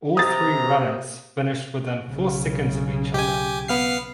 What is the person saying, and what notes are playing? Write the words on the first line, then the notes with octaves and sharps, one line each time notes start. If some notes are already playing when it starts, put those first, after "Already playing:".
All three runners finished within four seconds of each other.
C3 A#5 D#6 A6
B1 C#3
G4 G#5
B3 F5 C7